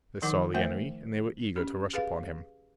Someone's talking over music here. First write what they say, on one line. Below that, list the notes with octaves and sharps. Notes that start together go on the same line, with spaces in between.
They saw the enemy and they were eager to rush upon him.
D#3 F3 D#4 A#4 F#5 D6
A3 A#3 A#4 C5 E5 F#5
C#4 G4
G4 G#4 B4 F5